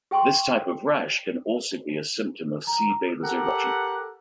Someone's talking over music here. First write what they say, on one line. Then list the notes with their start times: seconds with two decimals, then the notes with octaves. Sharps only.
This type of rash can also be a symptom of Sea bather's eruption.
0.11 G4 G5 G#5 C6 C#6
2.67 A#5
3.23 G4 A4 A#4 F#5